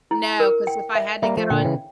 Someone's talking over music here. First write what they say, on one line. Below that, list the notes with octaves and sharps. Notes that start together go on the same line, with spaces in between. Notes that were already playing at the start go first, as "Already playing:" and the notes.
No, 'cause if I had to get on
E4
A#4
G5
E5
G3 A#3 E5
F3 A3
A#2 D3 G5
C#3 E3